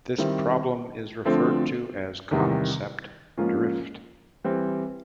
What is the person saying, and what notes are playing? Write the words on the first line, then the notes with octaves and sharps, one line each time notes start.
This problem is referred to as concept drift.
D#3 G3 C4 E4
D3 F3 A3 C4
E2 C3 D#3 G3
G#2 F3 A#3 C#4 F4
E3 G3 C4